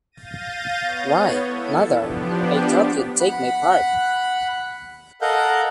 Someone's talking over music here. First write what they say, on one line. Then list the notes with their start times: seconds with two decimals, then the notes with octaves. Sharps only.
Why, mother, I thought you'd take my part!
0.12 F5 G6 A6 A#6 D#7
0.79 B3 C#5
1.42 E4 A4
1.93 F3 B3 D4 G4
3.21 F#5 B5 F#6
5.22 A4 A#4 D#5 F5 F#5 G6